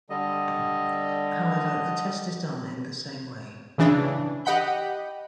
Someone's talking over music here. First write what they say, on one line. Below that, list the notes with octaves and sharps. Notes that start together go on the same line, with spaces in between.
However, the test is done in the same way.
D3 G3 D#5
C#3 E3 D4
G4 D#5 F#5 B5 G6